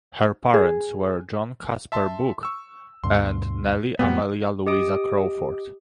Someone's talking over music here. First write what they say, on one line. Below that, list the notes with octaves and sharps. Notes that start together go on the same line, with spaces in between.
Her parents were John Casper Buch and Nellie Amelia Louisa Crawford.
G#4
E5 A5 C6
C#6 E6
D2 G2 B2 C6
F2 A2 F#3 G3 B3 C4
G4 D#5 D#6 D7